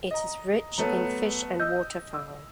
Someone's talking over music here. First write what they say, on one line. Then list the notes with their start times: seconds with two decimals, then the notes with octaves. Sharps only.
It is rich in fish and waterfowl.
0.11 D#5 A#5
0.78 F#3 A3 B3 A#5
1.60 D#5 E6 G6
2.14 E6